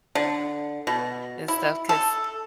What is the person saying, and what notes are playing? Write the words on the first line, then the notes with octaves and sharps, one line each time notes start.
and stuff 'cause
D3
B2
E4
A4